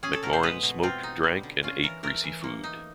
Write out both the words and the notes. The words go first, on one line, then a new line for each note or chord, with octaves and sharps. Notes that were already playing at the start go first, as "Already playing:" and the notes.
McMorran smoked, drank, and ate greasy food.
C#4 G#4
A4
B2 A#4
C5
G#3 B4
B2
C4 F4
D#4
G3
D3
C#4 F4
E3 A#4
A3 A#4
E3
A#3
D#4